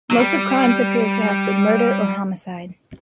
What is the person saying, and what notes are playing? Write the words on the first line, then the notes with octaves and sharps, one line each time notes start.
Most of the crimes appear to have been murder or homicide.
F#3
G3